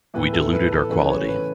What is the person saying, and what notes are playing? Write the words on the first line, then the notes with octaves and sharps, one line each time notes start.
We diluted our quality.
A2 E3 B3 E4 B4
A4
B4
A4
C#3 E3 A3 B4
C#5
B4